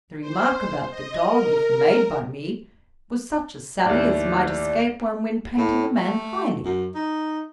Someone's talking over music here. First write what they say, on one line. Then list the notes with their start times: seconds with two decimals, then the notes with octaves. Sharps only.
The remark about the dog, if made by me, was such a sally as might escape one when painting a man highly.'
0.21 C5
0.90 D#5
1.26 A#4
3.85 D#2 A2 D5
5.57 A2
5.96 A3
6.65 F#2
6.95 D#4